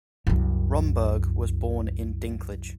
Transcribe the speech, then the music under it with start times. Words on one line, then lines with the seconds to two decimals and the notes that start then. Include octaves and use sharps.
Romberg was born in Dinklage.
0.27 C2 F#2